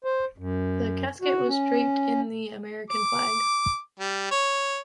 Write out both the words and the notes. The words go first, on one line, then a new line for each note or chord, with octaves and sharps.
The casket was draped in the American flag.
C5
F#2
F#4
C#4
D6
G3
C#5